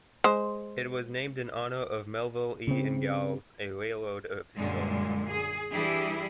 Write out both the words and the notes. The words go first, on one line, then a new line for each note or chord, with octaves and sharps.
It was named in honor of Melville E. Ingalls, a railroad official.
G#3 C5
C#3 C4
F#2 A#2 D3 G3 G#3
G#4
E3 G3 D4 E4 G4 G#4